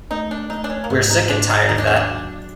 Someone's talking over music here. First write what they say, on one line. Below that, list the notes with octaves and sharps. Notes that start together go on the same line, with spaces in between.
We're sick and tired of that.
A3 D#4
D4
A3 D#4
D4
C#4
A#3
G#2 B3
D#4
G#2 D4
D#4
D#2 D#4
D4
C#4
D4
F#3